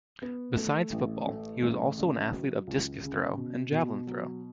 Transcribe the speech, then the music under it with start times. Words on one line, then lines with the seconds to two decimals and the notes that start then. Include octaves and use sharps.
Beside football, he was also an athlete of discus throw and javelin throw.
0.22 B3
0.57 A3
0.92 A1
1.27 A3
1.62 A1
1.97 C#3
2.32 F#3
2.67 C#2
3.03 C#3
3.37 B2
3.72 B2
4.07 F#3